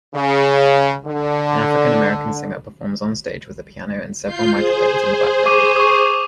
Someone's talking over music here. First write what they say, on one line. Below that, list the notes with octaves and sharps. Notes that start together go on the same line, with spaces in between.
An African American singer performs on stage with a piano and several microphones in the background.
C#3
D3
F4 G6 C7
G#4 C5
C#6 D6 D#7
C#6 D#6